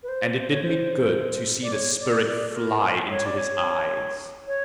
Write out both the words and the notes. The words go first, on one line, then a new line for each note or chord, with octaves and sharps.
And it did me good to see the spirit fly into his eyes.
B4
C5
C5
C#5
C5
D5
C#5
D5
D5
A4
A#4
C#5
D5
C#5
C#5